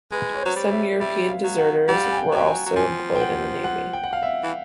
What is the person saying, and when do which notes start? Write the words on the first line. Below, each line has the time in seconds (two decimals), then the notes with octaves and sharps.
Some European deserters were also employed in the navy.
0.12 G#3 B4
0.34 C#5
0.42 F#3 C5
0.56 G3
0.71 E5
1.00 G3 E5
1.29 F5
1.44 F#3
1.59 F#5
1.88 G3 F#5
1.95 F5
2.03 F#5
2.11 G#5
2.17 G5
2.31 F#3 G5
2.47 G#5
2.66 F#3
2.76 F3 G#5
3.15 G5
3.21 F#5
3.64 F#5
3.93 G5
4.04 F#5
4.13 F5
4.23 E5
4.43 E3